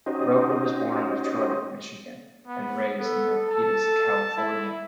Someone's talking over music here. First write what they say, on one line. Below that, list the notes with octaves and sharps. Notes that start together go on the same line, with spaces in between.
Roper was born in Detroit, Michigan and raised in Milpitas, California.
C#4 D#4 F#4 G4 C5 D#5
B3
B3 A4
A5
E4